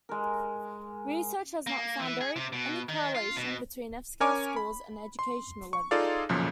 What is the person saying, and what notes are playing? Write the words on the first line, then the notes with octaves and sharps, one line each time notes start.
Research has not found any correlation between F-scale scores and educational level.
G#3 A#4
A#3
E3
G#4
C3
B2
D#3
F4
B2
C#4 A#4 C#5 G#5 D6
B5
C6
C#6
D#4 F4 G#4 A4 D5 F5
B1 F#2 A#2 C#3 F3